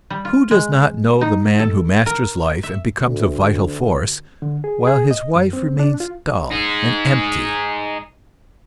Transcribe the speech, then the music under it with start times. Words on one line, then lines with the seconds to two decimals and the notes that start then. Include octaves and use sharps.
Who does not know the man who masters life and becomes a vital force, while his wife remains dull and empty?
0.10 G3
0.25 F4
0.51 G#3
1.21 D#4
1.59 A4
2.06 A#4
2.63 E5
3.00 D2
4.42 D3
4.64 G#4
4.87 G#4
5.11 D#5
5.35 F#2
5.53 C4
5.79 D4
6.00 F4
6.51 D#4 G#4